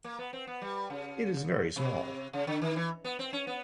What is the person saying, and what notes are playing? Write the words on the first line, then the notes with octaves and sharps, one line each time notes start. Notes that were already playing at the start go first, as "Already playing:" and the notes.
It is very small.
A#3
B3
C4
B3
G3
C#3
C3
C#3
D3
D#3
E3
B3
C4
C#4
B3